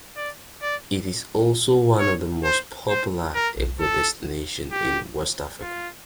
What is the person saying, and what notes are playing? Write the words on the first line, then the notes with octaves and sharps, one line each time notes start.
It is also one of the most popular eco-destinations in West Africa.
D5
D5
C#5
C5
C5
A#4
A4
G4
F4